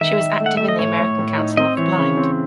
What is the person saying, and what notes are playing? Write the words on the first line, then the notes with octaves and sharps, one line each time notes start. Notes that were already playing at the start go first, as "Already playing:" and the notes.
She was active in the American Council of the Blind.
D#3 E5
D#3
A3
F#5
A3 E5
D#5
A2 C#5
A2
A2
D#4
C4 D#5
E3 C#5
C#3
C4